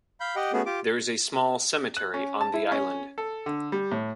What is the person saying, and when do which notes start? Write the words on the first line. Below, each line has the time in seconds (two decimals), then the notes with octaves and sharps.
There is a small cemetery on the island.
0.20 F5 B5 G6
0.36 G4 D#5 F#5 G5
0.53 A3 B3 C#4 F#4 G#4
0.66 F4 G4 D6
1.97 F#6
2.14 C#4
2.41 A5
2.54 E4
2.72 C#4
3.18 A4
3.46 D3
3.72 G3
3.92 A2